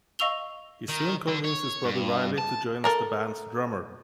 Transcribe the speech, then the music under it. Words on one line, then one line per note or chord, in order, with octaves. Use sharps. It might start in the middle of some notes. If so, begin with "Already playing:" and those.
He soon convinced his brother Riley to join as the band's drummer.
D#5 F5 C#6 E6 F7 G7
D#3
D3
C#5
G2
A5
A4 A#4 A#5